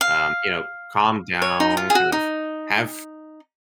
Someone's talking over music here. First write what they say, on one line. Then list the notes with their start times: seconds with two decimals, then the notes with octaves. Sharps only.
um, you know, calm down, kind of have
0.01 F5
1.42 C#5
1.60 D#4
1.77 F4
1.90 G#4
1.95 F#4
2.12 D#4